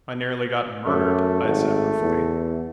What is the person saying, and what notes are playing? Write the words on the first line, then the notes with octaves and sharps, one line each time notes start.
"I nearly got murdered," I said ruefully.
F#2 A3
G#1
E2